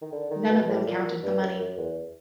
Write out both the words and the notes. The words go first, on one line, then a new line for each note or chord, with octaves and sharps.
None of them counted the money.
D#3
D3
D#3
B2
A2
A#2
G2
F#2
F#2
E2